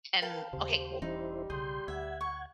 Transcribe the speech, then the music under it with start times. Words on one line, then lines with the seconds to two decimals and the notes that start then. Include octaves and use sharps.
and okay, cool
0.22 A#4 B4 F5 G5 A5
0.53 D#2 C#3 G4 C5
1.02 E1 E3 G3 C#4 D#4 E4 C5
1.50 B1 C#3 G#4 C6 G6
1.88 D2 E5 F#5 G#6
2.21 C#6